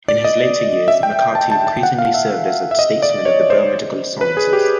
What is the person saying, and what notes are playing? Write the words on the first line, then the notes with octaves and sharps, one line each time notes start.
In his later years, McCarty increasingly served as a statesman of the biomedical sciences.
D5
D#5
E5
G5
A5
A5
A5
F#5
F5
E5
E5
D#5
D5
C#5
C5
B4
G#4
G4